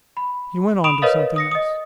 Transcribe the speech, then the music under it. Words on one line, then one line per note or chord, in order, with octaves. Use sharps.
He went on to something else.
B5
B5 C#6 D#6 D7 E7 F7
A#4 B4 C#5 D#5 F5 D#6
D#6 A#6 C#7
D#5 D#6